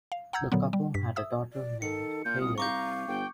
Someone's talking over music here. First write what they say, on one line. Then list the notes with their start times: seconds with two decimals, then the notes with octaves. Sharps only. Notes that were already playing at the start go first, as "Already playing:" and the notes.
The couple had a daughter named Kayleigh.
0.12 F5
0.33 F#5 A#5 E6 G6 G#6
0.52 A#2 D3 F#3 B3
0.73 G3
0.94 G2 B6
1.16 E5 D#6 E6
1.52 D5
1.82 D#3 A4 C#7
2.25 A#2 F4 G6
2.41 C2 D#6
2.58 C2 F5 A#5 C#6 D6 G6
3.08 G1 G5